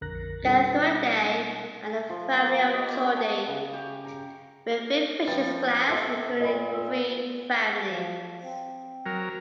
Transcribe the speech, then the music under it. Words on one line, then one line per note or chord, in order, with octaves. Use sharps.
Acanthuridae are the family of chordate ray-finned fishes class, including three families.
A#1 F2 D3 A#4 F#6 A#6
B2 G3 C#4 D#4 F4 A4
F3
A#3
G4
D#5
C#5
A5
C#3
G4
A#5
F3 B4 G5 A6
C3 A4 D#5 C6 E6
A#2 D#5 B5
A3 F4 E6
F3
C4
F#3 A#4